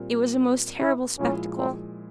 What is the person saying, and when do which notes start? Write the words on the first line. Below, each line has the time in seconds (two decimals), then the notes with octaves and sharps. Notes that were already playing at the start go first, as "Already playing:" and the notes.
It was a most terrible spectacle.
Already playing: A#2 G3 C4 G4 A#4
0.80 E4
1.19 A#2 F3 G#3 C#4 E4 G#4
1.58 C4